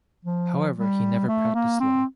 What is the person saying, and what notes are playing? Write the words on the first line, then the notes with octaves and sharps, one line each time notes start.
However, he never practiced law.
F3
G3
A3
A#3
C4